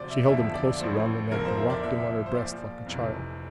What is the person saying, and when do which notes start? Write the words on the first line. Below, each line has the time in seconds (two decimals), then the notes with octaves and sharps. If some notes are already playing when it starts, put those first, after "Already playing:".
She held him closer round the neck, and rocked him on her breast like a child.
Already playing: D2 C3 F3 C5 D5
0.10 E5
0.27 G1 F2 D3 F3 E5
0.54 D5
0.79 A1 A2 F3 C5
1.31 G1 F2 D3 F3 A#4
1.45 C5
1.58 E5
1.70 D5
1.83 C2 A#2 F3 E5
2.26 C5
2.35 A#1 A#2 F3 D5
2.86 F1 F2 C3 E3